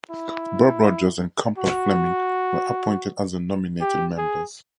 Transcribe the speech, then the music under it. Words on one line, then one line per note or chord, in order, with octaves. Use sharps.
Bob Rogers and Campbell Fleming were appointed as the nominated members.
E4
F#4
G4
G#4